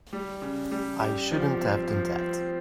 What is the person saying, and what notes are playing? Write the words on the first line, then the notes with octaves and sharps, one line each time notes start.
I shouldn't have done that.
G3
C#3
G3
G4
F3
C4
F3
C4